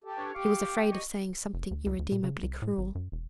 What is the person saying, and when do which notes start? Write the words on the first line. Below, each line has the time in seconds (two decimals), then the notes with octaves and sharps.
He was afraid of saying something irremediably cruel.
0.04 G4 A4
0.17 D4 B4 C#5
0.35 G4 F5 C#6 D6
0.91 D#5 C#6
1.54 F1
1.71 D2
1.86 C#2
1.99 D2
2.12 A#2
2.24 C#3
2.43 C2
2.62 A2
2.78 G#1
2.95 F#2
3.12 E1